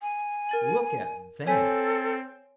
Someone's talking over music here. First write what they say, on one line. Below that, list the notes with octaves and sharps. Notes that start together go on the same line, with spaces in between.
"Look at that!"
G#5
A#4 A6 F#7
C4 A4 C#5 G#5 B6